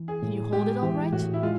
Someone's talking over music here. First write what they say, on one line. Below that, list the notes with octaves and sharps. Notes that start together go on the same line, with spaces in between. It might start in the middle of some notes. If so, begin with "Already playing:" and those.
"Can you hold it all right?"
Already playing: E3
G#4
A2
G#3 G4
E3 G4
A2 F#4
E4
G#3 F4